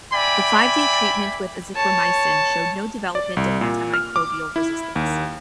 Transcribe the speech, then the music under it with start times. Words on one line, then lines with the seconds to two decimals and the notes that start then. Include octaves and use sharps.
The five-day treatment with azithromycin showed no development of antimicrobial resistance.
0.13 D5 E5 G5 G#5 B5
1.76 C#5 A5
3.15 D5
3.37 C2
3.61 A#2
3.94 F6
4.16 D6
4.56 E4
4.96 D#2